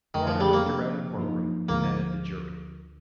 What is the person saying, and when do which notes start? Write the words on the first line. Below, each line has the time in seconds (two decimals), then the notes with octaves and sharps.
The coroner looked around the courtroom and then at the jury.
0.14 F2 D3 D#3 A3 D4
0.27 F3
0.40 G3
0.53 A#3
0.66 C3 F3 A#3 D4
1.17 G2 F3 A#3 D#4
1.69 D2 D3 F3 A#3